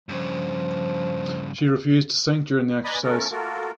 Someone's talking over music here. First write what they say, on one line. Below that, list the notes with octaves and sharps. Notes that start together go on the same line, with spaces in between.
She refused to sink during the exercise.
G2 C#3 F3
B4 D5 D#5 G#5 A#5 B5
F3 A3 C#4 A4 A#4
A3 A#3 F4 F#4 A4 A#4